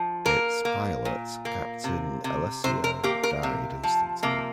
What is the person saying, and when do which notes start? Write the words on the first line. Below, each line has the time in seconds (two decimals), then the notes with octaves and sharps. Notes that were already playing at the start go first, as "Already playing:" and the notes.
Its pilot, Captain Alessio, died instantly.
Already playing: F3
0.25 A#3 A#4
0.65 A#3
1.05 A#2
1.45 A#3
1.84 C3
2.24 C3
2.64 C3 C5
2.84 A#4
3.03 A#3 G4
3.23 A#4
3.43 C3
3.83 F3
4.23 C3 A#3